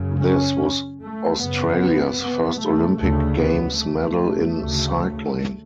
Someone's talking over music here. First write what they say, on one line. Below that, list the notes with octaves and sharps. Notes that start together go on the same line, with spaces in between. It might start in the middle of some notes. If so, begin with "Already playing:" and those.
This was Australia's first Olympic Games medal in cycling.
Already playing: F#2 C#3
C#4
A3
F#2 C#3 B3
B3
A3
D2 C#3 A3
B3
A3
D2 C#3